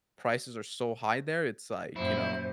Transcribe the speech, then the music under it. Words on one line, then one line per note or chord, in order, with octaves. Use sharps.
prices are so high there, it's like, you know
F#2 A#2 E4 C5